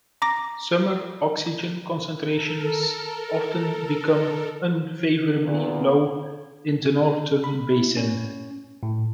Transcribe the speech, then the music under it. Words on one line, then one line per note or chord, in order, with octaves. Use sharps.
Summer oxygen concentrations often become unfavorably low in the northern basin.
A#5 D6 A#6
A4 A#4
E2 A#2
B5
E4
C#4
A2